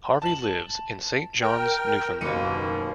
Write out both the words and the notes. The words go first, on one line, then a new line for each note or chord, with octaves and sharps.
Harvey lives in Saint John's, Newfoundland.
A5 F#7
A#4 G5
F#1 D#2 B2 A#3 C#7 D#7